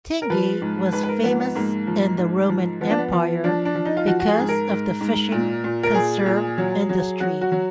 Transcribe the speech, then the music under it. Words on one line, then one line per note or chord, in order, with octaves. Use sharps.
Tingi was famous in the Roman empire because of the fishing conserve industry.
A#4
F3 B4
G#2
G#2 B4
B4
A#4
F3 B3
B3
G#2 A#3
F3
G#2
F3
F3 B3
D4
B3
F3
F3 D4
D4
F3
D#4
F4
F3 F#4
F#4
G#4
G#2
A#4
G#2
G#2
A#2
A#2
A#4
A#2 G#4
A#2
F#3
F#3
F#3 F#4
F#4
F#3